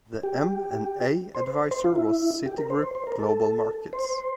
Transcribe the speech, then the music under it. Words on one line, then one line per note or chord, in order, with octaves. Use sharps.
The M and A advisor was Citigroup Global Markets.
G4
C5
C5
F4
E4
G4
A#4
C5
C5
C5
A#4
A4
C5